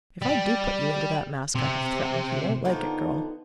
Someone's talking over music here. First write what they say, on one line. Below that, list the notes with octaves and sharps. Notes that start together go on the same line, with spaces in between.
If I do put you into that mask I have threatened, you won't like it, girl.
G3
C3
D3 D#3 F3 B3 D#4